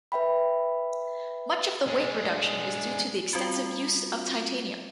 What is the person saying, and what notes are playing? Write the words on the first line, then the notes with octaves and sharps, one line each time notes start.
Much of the weight reduction is due to the extensive use of titanium.
B4 E5 G5 B5
G#3 D4
G3 C4 F4 F#4